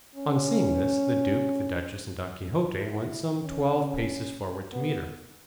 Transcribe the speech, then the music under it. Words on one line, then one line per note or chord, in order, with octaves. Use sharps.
On seeing this the duke, the duchess, and Don Quixote went some twelve paces forward to meet her.
C#4
E4
C#4
B3